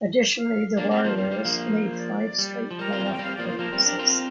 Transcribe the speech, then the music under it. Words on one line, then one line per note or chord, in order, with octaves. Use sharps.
Additionally, the Warriors made five straight playoff appearances.
F5
A#3 D4 D5
G3 C4 A#4
F3 A#3 C5
G3 F5
G3
F3 A#3
A#4
C5
D5
G3
F3
G3 A#4
C4 F4
A#3
G3 C4
G5
G3 C4 F5
F3 A#3 D5
C5
F3 A#3 A#4
G3 C4
D4 G4
C4 F4